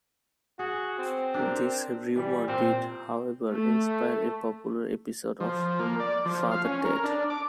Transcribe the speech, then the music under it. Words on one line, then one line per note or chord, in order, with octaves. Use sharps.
This rumour did, however inspire a popular episode of "Father Ted".
F#4 G#4
C4
D4 G4 A#4
E3 G3
A#2 C4
A3
F3
A#3
D5
F3
F5
C#4
A#4
D4
D6